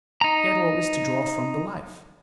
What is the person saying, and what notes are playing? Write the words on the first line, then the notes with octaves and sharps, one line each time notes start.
He had always to draw from the life.
D#4 A#5